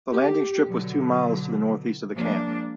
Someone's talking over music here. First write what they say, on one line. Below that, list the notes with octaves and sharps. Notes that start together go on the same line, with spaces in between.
The landing strip was two miles to the northeast of the camp.
G4
B2 D3 F#3
F3 G#3 A#3 D4